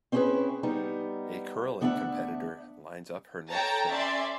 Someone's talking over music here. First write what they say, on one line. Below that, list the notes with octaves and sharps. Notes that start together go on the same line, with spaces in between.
A curling competitor lines up her next shot.
C4 C#4 E4 F#4 G#4 B4
G3 B3 D#4
D2 B3 D4 D#5 E5 F#5
A4 C#5 G5 A5 A#5
C#4 D5 E5 C6